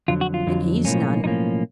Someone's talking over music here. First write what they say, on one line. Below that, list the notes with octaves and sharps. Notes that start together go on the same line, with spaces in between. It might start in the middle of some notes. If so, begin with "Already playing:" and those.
And he's none.
F2 D3 F#3 F4
F#4
F4
F2 D3 F#3
B1 A2 F3 A#3 C#4
B1 A2 F3 A#3 C#4 D#4